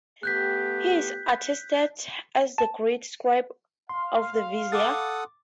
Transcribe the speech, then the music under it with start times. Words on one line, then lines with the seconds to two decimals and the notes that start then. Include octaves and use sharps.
He is attested as the Great Scribe of the Vizier.
0.23 A3 B3 G4 F#6 G6 B6
2.58 A5
3.89 F5 C6
4.72 A4 F#5 D6 D#6 A6